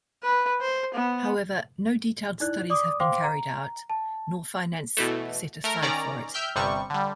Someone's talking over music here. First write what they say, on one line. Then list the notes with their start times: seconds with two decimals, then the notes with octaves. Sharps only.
However no detailed studies have been carried out nor finance set aside for it.
0.23 B4
0.61 C5
0.95 B3
2.40 D#4 E4 D5 F#6
2.70 D5 D6 D#6
3.00 C5 F5 G5 C6 D6
3.24 A#5
3.90 A5
4.97 B2 E3 A3
5.64 A3 A#4
5.82 D#3 C#4 D5 A#5
6.34 E5 G5 F6 G6
6.56 G1 C3 G3 C#6
6.90 D3 G3